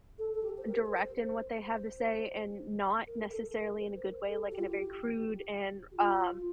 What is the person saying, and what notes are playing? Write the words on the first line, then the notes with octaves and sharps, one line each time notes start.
direct in what they have to say, and not necessarily in a good way, like in a very crude and, um,
A4
A4
G4
C5
A#4
A#4
C5
C5
A#4
A4
A#4
C5
A#4
A4
G4
F4
G4
G4
F4